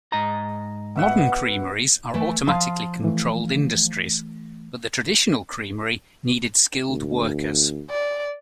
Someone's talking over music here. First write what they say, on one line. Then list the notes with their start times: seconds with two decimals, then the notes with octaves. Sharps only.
Modern creameries are automatically controlled industries, but the traditional creamery needed skilled workers.
0.12 G#2 D#5 A#5
0.96 B2 E5 F#5
2.14 E3 A3
2.47 F3 F5 A5 C6 D#6
3.03 E3 A3
6.89 D2
7.90 D5